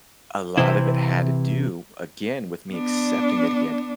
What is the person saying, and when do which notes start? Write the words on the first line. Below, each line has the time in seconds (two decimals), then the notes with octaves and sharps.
a lot of it had to do again with me accepting that he had
0.58 C3 E3 C4 E4
2.71 B3 D4